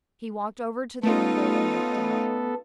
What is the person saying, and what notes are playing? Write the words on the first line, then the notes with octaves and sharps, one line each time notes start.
He walked over to the window and looked out.
A3 B3 C#4 D#4 F4 A4